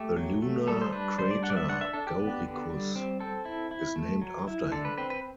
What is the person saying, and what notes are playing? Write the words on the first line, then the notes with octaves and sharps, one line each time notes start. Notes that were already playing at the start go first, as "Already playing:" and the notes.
The lunar crater Gauricus is named after him.
Already playing: A3 G4
F#3
A3
G3 A4
C5
D4 B4
G3 C5
D5
D4 F#5
D5
E5
D4 F#5
E5
D4 A4
G4
B3
D3
G3
C4
C4 A4
E4
E4
A3
F#3
E4
D3 A4
B4
C4 B4
B4